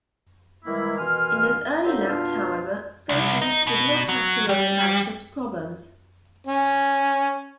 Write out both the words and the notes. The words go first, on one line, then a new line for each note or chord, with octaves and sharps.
In those early laps, however, Frentzen did not have to worry about such problems.
D#3 E3 G3 G#3 A#3 E4
B2 D#3 E3 G#5 C6 F6
F#3 A#3 D4 D#4 C5 E5
B2 D4 F4
C2
D#4
B2
F#3
G3
C#4